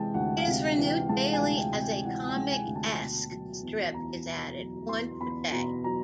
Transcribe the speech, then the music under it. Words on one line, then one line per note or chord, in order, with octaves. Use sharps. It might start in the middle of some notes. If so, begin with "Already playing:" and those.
It is renewed daily, as a comic-esque strip is added, one per day.
Already playing: C3 E3 G#3 G5 A5
D2 F#5
F5
C3
E3
G5
G#3 A5
G#5
D2
G5
C3
G5
E3 F#5
G5
G#3
G#5
D2
A5
B2
F#3
E2
E2 A#5
B2
F#3
E2 C6
E2 B5
B2 A#5
F#3 A#5